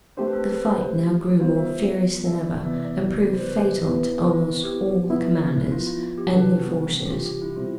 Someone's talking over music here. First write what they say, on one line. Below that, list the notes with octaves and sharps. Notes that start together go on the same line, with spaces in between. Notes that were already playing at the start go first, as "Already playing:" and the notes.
The fight now grew more furious than ever, and proved fatal to almost all the commanders and their forces....
A3 C4 D4 G4 C5
B4
A4
B4
C5
G3 B3 F4 C5
E5
E5
D5
D5
C3 E3 B3 E4 E5
D5
D5
D5
D5
D5
C5
B4
G4
B2 B3 E4 B4
E4
C4
G4
F3 B3 E4
E4
F4
F4
F4
G4
C3 E3 G3 D4 A4 B4
C4
B3
C4
C4
G4
F4
G4
E4
B2 G3 C4 E4 F4